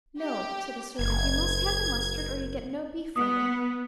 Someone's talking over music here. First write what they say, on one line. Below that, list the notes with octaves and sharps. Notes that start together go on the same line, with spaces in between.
"No," said the servant, "you must have the mustard, or you get no beef from me."
G4
F#1 G#6
B3 D#6